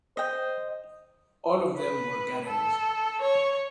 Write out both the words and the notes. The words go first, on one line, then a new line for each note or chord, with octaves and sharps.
All of them were Gaddangs.
C5 D#5 G5
B4
A4
C#5